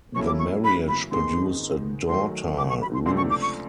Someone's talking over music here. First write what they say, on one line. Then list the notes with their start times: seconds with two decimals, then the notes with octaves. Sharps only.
The marriage produced a daughter, Ruth.
0.15 F#3 A#3 C#4 E4 A4 C#6
0.27 D6
0.39 C#6
0.64 B5
0.88 B5
1.12 G#2 D#3 G#3 B3 D#4 C6
2.08 D#3 F#3 A3 C6
2.58 D6
2.69 C#6
2.82 B5
2.94 C6
3.06 C#2 C3 F3 A3 D4 C6
3.17 C#6
3.30 D6
3.42 C#6